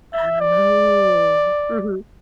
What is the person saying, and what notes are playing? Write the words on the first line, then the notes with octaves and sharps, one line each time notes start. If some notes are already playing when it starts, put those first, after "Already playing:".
Oh. Mhm.
E5
D5